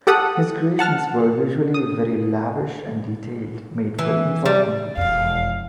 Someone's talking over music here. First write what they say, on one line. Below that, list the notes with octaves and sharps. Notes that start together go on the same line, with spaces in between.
His creations were usually very lavish and detailed, made for epoch movies.
G4 A4 F#5 D#6
F#5 A5 F6
D#6
E3
G3
E1 F2 F5